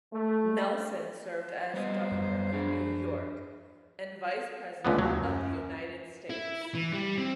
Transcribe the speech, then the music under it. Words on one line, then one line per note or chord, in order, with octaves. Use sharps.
Nelson served as Governor of New York and Vice President of the United States.
A3
C5
G3 B3 D#5
F#2
D4 G#4
C#2 D3 A3 B3
D#2 F#3
F#2
E4
E3
G3
C4